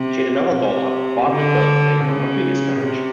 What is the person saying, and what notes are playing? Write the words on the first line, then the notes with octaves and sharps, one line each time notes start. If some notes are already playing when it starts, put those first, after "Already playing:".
She had another daughter, Bartlett Bulkley, from her previous marriage.
Already playing: C3
C3
D3
C#3
C3